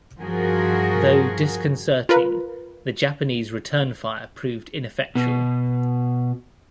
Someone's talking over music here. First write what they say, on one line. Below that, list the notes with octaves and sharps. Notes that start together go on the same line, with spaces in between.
Though disconcerting, the Japanese return fire proved ineffectual.
G2 F3 F#4 G#4 A#4
F4 A#4 B4
B2